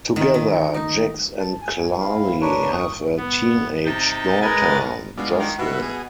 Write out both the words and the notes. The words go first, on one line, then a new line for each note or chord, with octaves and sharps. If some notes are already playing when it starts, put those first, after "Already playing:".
Together, Jax and Carly have a teenage daughter, Josslyn.
D#3
D#3
D#4
A5
G#5
C4 E4 F5
D4 A#4 B4 C#5
C#6 D#6
B3
C3 D#4 G5 A5
G#3 A#4 B4 D#5 G#5 A6
B2 G#3 D4 F4
D#3
B2 B3 F#4 E5
G#4